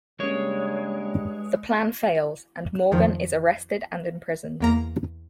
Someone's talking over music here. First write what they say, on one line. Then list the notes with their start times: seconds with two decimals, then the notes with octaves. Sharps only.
The plan fails, and Morgan is arrested and imprisoned.
0.20 G2 C#3 G3 G#3 A#3 C#5
2.91 F2 D#3 F3
4.60 E2 A#3 A#5